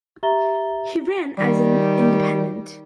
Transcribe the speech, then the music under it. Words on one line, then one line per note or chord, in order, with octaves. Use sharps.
He ran as an independent.
G4 E5 A#5 A6 G7
D#3 G3